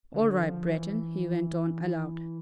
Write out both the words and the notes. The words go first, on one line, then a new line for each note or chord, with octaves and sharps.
"All right, Breton," he went on aloud.
D3
F3
E3